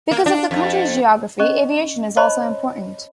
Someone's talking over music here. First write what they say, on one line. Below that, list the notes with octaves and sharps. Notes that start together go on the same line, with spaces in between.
Because of the country's geography, aviation is also important.
A#3
D4
F2
C#4 D#5 C#6
C5 C#5 D#5 A5 B5 C6